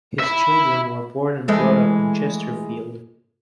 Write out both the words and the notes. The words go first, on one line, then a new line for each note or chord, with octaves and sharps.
His children were born and brought up in Chesterfield.
E5 B5
E3 G#3 A3